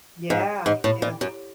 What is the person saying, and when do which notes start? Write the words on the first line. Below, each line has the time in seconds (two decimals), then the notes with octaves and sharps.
Yeah. Yeah.
0.30 G#2
0.66 G#2
0.84 A2
1.02 A#2
1.21 F#2